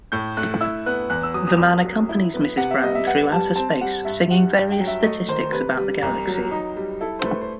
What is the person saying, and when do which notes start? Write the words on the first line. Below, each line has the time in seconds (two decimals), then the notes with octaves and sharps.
The man accompanies Mrs. Brown through outer space singing various statistics about the galaxy.
0.12 A2 G6
0.37 A3 F#6
0.61 E4 E6
0.86 B3 F#6
1.10 E2 F#6
1.23 E6
1.34 F#3 D#6
1.47 D#6
1.59 C2
1.85 F#3
2.09 E4
2.34 B3
2.57 C3 F#5
2.71 E5
2.83 G3 D#5
2.95 E5
3.07 B3 F#5
3.32 G3 A5
3.56 C4 A5
3.81 G3 F#5
4.05 G2 E5
4.31 G3 F#5
4.54 G2 G5
4.71 G5
4.79 F#3
4.88 E5
5.03 A3 D#5
5.28 D#3 C5
5.52 C3 B4
5.77 G3
6.02 C2
6.27 F#3
6.51 D#4
6.76 G3
7.01 E4 A4
7.19 C5
7.25 A3 B4
7.41 C5